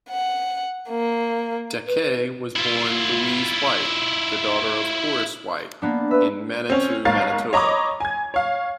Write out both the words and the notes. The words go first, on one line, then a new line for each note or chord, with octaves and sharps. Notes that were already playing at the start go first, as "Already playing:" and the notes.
Dacquay was born Louise White, the daughter of Horace White, in Manitou, Manitoba.
F#5
A#3
B4
E4 F4
A#3 B3 D4
B4 E5
C4 C#4
B1 G#2 A#3 C#5 F5 A6
C#5 D#5 A#5 B5 D6
G#5 G#6
C#5 F5